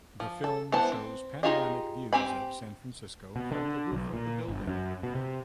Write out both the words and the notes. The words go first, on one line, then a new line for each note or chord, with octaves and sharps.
The film shows panoramic views of San Francisco from the roof of the building.
F3
A4
E3 B3 C5 A5
C4
D#4 F4 G4 G#4 D#5
C4 G4 G#5 B5
B2
D3
B1
A#2
G1
F#2
B2
C3